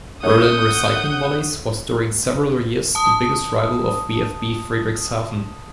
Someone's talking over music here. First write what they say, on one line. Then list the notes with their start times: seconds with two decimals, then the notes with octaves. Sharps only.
Berlin Recycling Volleys was during several years the biggest rival of VfB Friedrichshafen.
0.23 A3 C#4 F#5 D#6 G6
2.95 A5 D#6